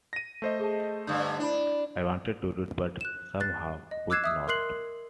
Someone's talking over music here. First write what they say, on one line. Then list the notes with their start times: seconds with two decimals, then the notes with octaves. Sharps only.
I wanted to read, but somehow could not.
0.13 A#6 D#7
0.42 A3 C5 D#5
0.59 G#4 A5
1.07 G2 D3 C#6 D#6 G6
1.40 D4 E4 B5
3.01 F#6 E7
3.40 F#6 A6 C7
3.91 D#5
4.10 D6 E6 F#6 G#6 C7 E7
4.24 E5 D#6 E6
4.48 A#4 C6 F#6 C7 F#7